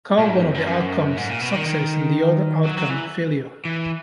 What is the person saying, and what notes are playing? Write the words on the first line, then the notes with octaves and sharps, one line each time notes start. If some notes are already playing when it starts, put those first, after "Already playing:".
Call one of the outcomes "success" and the other outcome "failure".
A#2
G#2
E2
F#2
F#2
G#2
A#2
B2
D#3
D#3
F#3
F#3
E3
E3